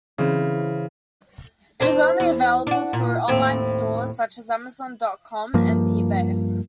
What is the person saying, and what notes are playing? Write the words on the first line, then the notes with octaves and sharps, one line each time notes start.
It is only available through online stores such as Amazon dot com and eBay.
C#3 E3 C4
E2 C4 D4
E2
D4 F#4
A#2
D#2 A2 C4
G2 F3 A#3